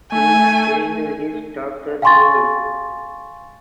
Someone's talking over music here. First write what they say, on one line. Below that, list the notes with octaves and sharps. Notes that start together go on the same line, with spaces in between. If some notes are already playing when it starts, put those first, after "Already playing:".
He gained his Doctor Theol.
A3 G#5
F5 G5 G#5 C6 C#6 A6